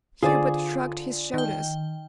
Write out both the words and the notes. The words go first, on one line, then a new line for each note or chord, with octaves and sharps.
Hubert shrugged his shoulders.
D3 F4 G#4 C5 D5
D#3 G5